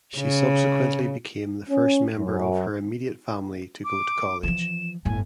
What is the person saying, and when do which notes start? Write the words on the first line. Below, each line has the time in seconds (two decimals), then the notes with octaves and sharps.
She subsequently became the first member of her immediate family to go to college.
0.19 C#3
1.70 C#4
2.19 F#2
3.85 D6
4.43 E3 F3 E7
5.05 G1 A2 G#5